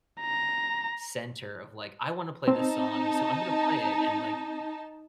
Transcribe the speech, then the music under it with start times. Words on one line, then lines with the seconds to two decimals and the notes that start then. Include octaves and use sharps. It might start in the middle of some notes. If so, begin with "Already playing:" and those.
center of, like, "I wanna play this song, so I'm gonna play it," and, like,
0.21 A#5
2.48 C4 D#4 A5